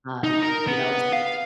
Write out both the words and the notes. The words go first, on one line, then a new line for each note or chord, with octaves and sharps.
uh, you know? S
D#4
A#4
B3
F5